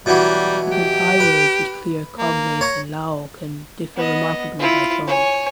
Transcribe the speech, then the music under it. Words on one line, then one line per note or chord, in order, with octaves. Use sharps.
Even Thai words with clear cognates in Lao can differ remarkably by tone.
B2 E3 F#3 G3
G4
B4
A#3
C#5 A#5
B3 D#5
E4 F4
C#5 G#5